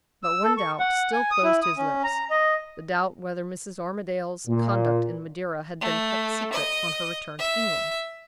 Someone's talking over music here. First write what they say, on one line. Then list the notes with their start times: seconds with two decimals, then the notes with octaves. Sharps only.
But one doubt still closed his lips--the doubt whether Mrs. Armadale's conduct in Madeira had been kept secret on her return to England.
0.23 E6
0.43 A4
0.57 C#6
0.80 F#5
1.13 G#5
1.31 D#6
1.43 E4
1.62 D#6
1.77 C#4
2.04 A#5
2.30 D#5
4.47 A#2
5.81 A3
6.53 D#5
7.38 E5